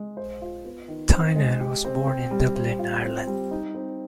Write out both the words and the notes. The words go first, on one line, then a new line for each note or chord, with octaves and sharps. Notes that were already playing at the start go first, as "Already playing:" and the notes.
Tynan was born in Dublin, Ireland.
Already playing: G#3
C5
F4
B3
D#3
C4
G#3
G4
C4
C4
G3
C5
F4
C4
G3
D#4
C4